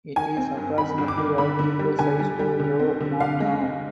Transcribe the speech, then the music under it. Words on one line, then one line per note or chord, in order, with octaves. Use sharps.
It is approximately of equal size to Low Marnham.
D#3 G#5
C4
G2
D#3 B5
G2
D6
D#3
D3 B5
D3
G3
D3 G#5
G3
G3
D3
C4
D3
D3 F5
G#3
C4